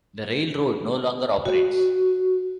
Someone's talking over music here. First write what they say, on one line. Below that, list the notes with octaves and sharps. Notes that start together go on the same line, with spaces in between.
The railroad no longer operates.
F#4